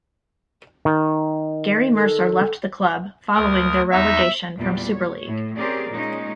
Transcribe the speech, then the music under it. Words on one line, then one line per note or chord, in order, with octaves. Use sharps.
Gary Mercer left the club following their relegation from Super League.
D#3
A4
D2 A#4 D#6
E2 D#4 E5 A#6
E2 A#2 G3 B3
C#5
A2
C4 C#4 G4 G#4 A#4 D5
A#2 G#3 C#4 D#4